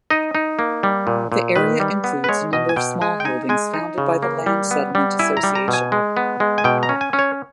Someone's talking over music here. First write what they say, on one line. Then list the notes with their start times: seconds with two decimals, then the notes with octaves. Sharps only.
The area includes a number of smallholdings founded by the Land Settlement Association.
0.10 D#4 D#5
0.35 D#4
0.59 A#3
0.83 G3
1.07 A#2
1.32 A#2
1.56 D#3 B4
1.80 G3
2.04 B3
2.24 B4
2.29 G#3 C#5
2.53 B2 D#5
2.69 G#5
2.76 B2 G5
3.01 G#3 G#5
3.20 G5
3.25 D#4 G#5
3.49 G#3 G#5
3.74 D#4
3.98 C#3
4.23 A#3
4.46 G3
4.71 B3
4.95 G3
5.19 E4 G#5
5.37 A#5
5.43 G3
5.55 A#5
5.68 B2
5.73 G#5
5.92 G#3
6.17 B3
6.40 G#3
6.58 G#5
6.64 B2 G5
6.83 A#5
6.89 C#4
7.01 G#5
7.13 C#4
7.19 C#5